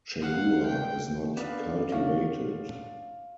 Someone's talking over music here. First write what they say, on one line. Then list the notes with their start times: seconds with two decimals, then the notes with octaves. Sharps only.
Chaguar is not cultivated.
0.21 F5 F#5
0.66 G5
1.37 B3 D4 F4 B4 D5
1.92 C#4 F#4 F5